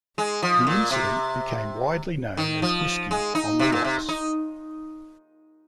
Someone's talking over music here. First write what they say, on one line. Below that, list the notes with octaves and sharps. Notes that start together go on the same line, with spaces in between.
The incident became widely known as Whiskey on the Rocks.
G#3
F3
A#2
C3
D#3
F3
G#3
D#4
C3
A#2
C3
D#4